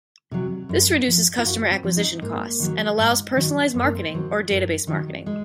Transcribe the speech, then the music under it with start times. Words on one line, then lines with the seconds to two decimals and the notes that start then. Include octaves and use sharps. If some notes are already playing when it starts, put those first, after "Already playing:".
This reduces customer acquisition costs, and allows personalized marketing or database marketing.
0.31 C3 F#3
0.69 F#2
1.08 F3
1.38 F4
1.45 F#2 F#4
1.71 C4
1.84 F3
1.97 D#4
2.22 G#2 A#3
2.60 D#3 F#3
2.98 G#2
3.36 D#3 F#3
3.73 F#2 C4
3.84 A#3
3.95 C4
4.12 D#3 F#3
4.50 F#2
4.87 D#3 F#3
5.26 G#3